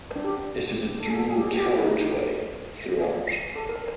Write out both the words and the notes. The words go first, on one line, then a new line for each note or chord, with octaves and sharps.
It is a dual carriageway throughout.
D4
G4
A4
G#4
A4
G#4
G4
G#4
G4
F#4
E4
D#4
G#4
A4
A#4